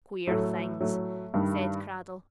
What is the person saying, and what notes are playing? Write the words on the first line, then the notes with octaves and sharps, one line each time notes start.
"Queer things!" said Cradell.
A2 F#3 A3
A2 F#3 A3
G2 D#3 G3